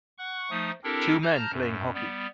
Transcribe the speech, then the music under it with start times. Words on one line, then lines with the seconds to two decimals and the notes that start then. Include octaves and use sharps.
Two men playing hockey.
0.18 F#5 C#6 F#6
0.50 F3 A3 D#4 D#6
0.84 C4 D4 E4 G4 A4 A#4
1.23 A5 A#5 F6 G6 A#6
1.51 F#2
1.94 G3 B3